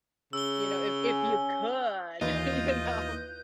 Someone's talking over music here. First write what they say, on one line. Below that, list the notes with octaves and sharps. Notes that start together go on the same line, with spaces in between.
you know, if if you could, you know,
C#3 E6 G7
C#4
D#2 E3 F4 B4 D#5 G6